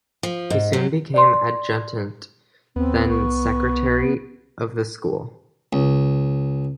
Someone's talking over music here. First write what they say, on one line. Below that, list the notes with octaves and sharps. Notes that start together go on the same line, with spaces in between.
He soon became adjutant, then secretary of the school.
F3
G#2
F#3
D5 C6
D#2 B3 C4
C2 C#6
C#2